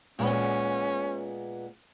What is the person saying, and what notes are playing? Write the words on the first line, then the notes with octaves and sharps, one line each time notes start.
Oh, yes.
A#2 G#3 B3 C#4